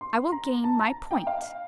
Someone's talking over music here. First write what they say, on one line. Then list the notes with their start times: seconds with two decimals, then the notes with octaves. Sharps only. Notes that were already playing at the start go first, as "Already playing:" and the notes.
I will gain my point.
0.01 C6
0.32 A#5
0.64 A5
0.79 A#5
1.11 G5
1.27 F5